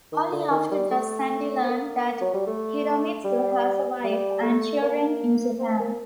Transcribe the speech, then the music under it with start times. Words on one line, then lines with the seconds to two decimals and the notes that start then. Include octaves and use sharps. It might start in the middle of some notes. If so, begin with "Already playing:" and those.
Only after does Sandy learn that Hiromitsu has a wife and children in Japan.
0.12 D#3
0.32 D3
0.51 D#3
0.71 G3
0.90 A3
1.64 C4
1.68 A#3
2.21 F#3
2.34 G3
2.47 A3
3.25 G3
4.04 G3
4.42 A3
4.82 A#3
5.59 C4
5.80 A#3